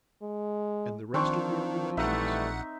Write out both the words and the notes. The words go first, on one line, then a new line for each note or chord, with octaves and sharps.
'And the rest of your relations?'
G#3
D#3 F3 C4 D4 C#6
A#1 E3 G3 A3 D#4 E5 F#5